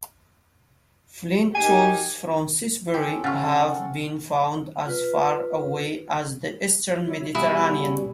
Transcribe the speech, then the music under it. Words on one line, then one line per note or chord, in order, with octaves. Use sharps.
Flint tools from Cissbury have been found as far away as the eastern Mediterranean.
D#4 G4 A#4 G#5
C4 C#4 G4 A4
C#3 F4 F#5 C#6 F6 A6
F4 B4
F#3 E4
B2 G3 E4 F#4 G#4